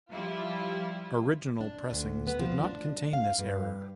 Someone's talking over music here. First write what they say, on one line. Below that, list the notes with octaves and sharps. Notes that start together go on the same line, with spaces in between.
Original pressings did not contain this error.
F3 G3 E4 F4
D4
D2
B3
F3
D4
F5
G2